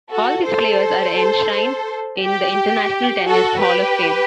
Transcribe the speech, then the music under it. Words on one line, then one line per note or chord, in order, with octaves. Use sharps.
All these players are enshrined in the International Tennis Hall of Fame.
F#4 A4
A4 C5
G4
F#4 A4
G4 B4